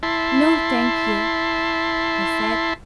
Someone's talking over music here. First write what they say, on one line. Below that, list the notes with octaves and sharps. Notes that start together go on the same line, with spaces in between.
"No, thank you," I said.
E4 A5 C6